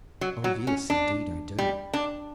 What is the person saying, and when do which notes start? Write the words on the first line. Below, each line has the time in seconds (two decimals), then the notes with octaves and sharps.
"Oh, yes, indeed I do!"
0.21 F#3
0.44 F#3
0.67 C#4
0.90 D4
1.59 G3
1.94 D4